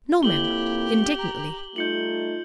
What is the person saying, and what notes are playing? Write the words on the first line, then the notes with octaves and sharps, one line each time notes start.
"No, ma'm," indignantly.
F2 A#3 E4 G4 F#7 G7
A#5
G3 A3 D#4 F4 G6 C#7 F#7